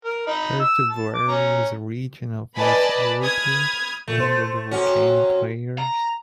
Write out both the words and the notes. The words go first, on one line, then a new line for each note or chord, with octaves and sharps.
Herto Bouri is a region of Ethiopia under volcanic layers.
A#4
D#4 A#5 B5
E6
A5
D6
C#4 A#5
B4 D5 D#5 G#5 A5 B5
B5 D#6 F6 G#6
A#2 A3
C5
C3 C#4 F#4
A#5